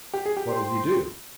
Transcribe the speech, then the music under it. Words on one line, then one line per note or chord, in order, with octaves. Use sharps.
"What'll you do?"
G4
G#4
G4
C5 G5 C6